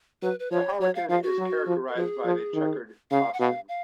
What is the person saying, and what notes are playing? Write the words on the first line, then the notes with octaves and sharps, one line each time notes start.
The Harlequin is characterized by his chequered costume.
F#3 B4
B4
F3 C#5
F#3 C#5
F5
F3 F5
F#4
F#3
F3
A#4
F3 G#4
F3
D#3
C#3 F5
F#5
B2 F5
F5